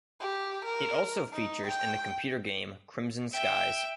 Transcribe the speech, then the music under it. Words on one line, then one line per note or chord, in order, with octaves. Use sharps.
It also features in the computer game "Crimson Skies".
G4
A#4
D#4
G5
E5 G5